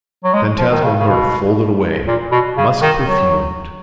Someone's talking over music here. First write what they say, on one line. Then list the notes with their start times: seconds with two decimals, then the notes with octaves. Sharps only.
Phantasmal mirth, folded away: muskperfumed.
0.24 F#3
0.34 G#3
0.58 F3
0.71 D#3
0.84 C#3
1.00 C#3
1.08 B2
2.07 A#2
2.31 B2
2.57 C#3
2.82 D#3
3.07 F#3